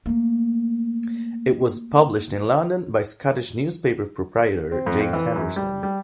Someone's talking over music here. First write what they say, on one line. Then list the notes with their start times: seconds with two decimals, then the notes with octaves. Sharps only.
It was published in London by Scottish newspaper proprietor James Henderson.
0.06 A3 A#3
4.72 C4
4.86 F2
5.00 F2
5.13 E3
5.36 F#2
5.56 G3
5.83 G3